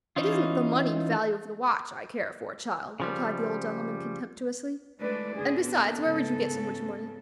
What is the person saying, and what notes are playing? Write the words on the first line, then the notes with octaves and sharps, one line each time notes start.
"It isn't the moneyed value of the watch I care for, child," replied the old gentleman, contemptuously; "and besides, where would you get so much money?"
E3 C#4 D#4 F4
C#3 F3 G3
G#3 A3 D4 B4 D5
A2 D3 D4 G#4
B3 A4
G#2 C#3